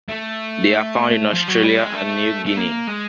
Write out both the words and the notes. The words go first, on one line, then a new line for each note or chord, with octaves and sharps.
They are found in Australia and New Guinea.
A3
F3
F#3
G3
G#3
A3
A3
A#3
G#3